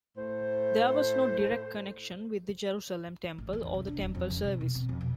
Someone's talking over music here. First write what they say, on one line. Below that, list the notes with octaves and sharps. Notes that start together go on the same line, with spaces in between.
There was no direct connection with the Jerusalem Temple or the Temple service.
A2 C5
A1
E2
C3
D4
D#1
F2
C#3
C3
B2
C4
F2
B2